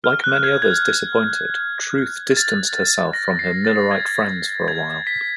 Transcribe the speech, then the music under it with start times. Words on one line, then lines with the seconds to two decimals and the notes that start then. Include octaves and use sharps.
Like many others disappointed, Truth distanced herself from her Millerite friends for a while.
0.04 F6
0.24 F#6
0.44 G#6
0.62 G#6
2.37 A6
3.13 A#6
3.39 C7
3.65 A6
3.91 G#6
4.68 G#6
5.07 B6